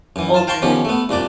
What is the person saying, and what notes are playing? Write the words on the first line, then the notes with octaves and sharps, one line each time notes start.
old memories.
F#2 E3
F4 A5
F5 G5 A5 C6 C#6
B2 D#3 F3 C#4 G4
A3 B3
C2 A#2 D4 D5